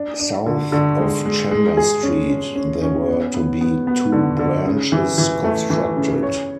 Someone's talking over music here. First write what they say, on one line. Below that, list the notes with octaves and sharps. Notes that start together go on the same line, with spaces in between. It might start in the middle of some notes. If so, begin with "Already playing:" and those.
South of Chambers Street, there were to be two branches constructed.
Already playing: D4
D4
D3
D3
G#3
G#3
G#3
G#4
C#4
C#4
C#4
C#4
B3
B3
B3
B3
D3
D3
C#3
E3
E3
A3
E3
C#3
C#5